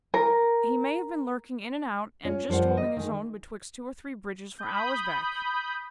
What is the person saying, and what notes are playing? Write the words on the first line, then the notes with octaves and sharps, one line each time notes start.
He may have been lurking in and out, and just holding his own betwixt two or three bridges, for hours back.'
A#4
C#4 F4 C#5
F#2 F3 G3 C5 F#5
D#5
D#3 G#3
B5 D#6 G6